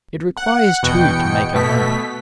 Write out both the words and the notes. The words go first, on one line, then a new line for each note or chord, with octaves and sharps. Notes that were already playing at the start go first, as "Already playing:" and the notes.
It requires two to make a home.
F#5
E2 B2 G5 C#7
B2 A3 B6